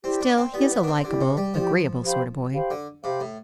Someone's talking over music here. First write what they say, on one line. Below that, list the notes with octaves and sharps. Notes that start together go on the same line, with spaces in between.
"Still, he's a likable, agreeable sort of boy."
C4 E4 G4 D5
D4
C4
B3 E4 G4 D5
B3
D4
C4
D3 E4 G4 D5
C3
G3
F3 E4 G4 D5
G4 C5 F5 B5
G4 C5 F5 B5
D3
C3 G4 C5 F5 B5
A2